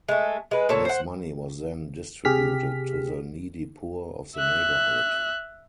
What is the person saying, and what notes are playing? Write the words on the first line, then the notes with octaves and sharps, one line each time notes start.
This money was then distributed to the needy poor of the neighborhood.
G#3 A3
G#3 B4
A#2 A4 C#5 A5
C5 F#5
C3 G4 G#4 F6 B6
E5 F#6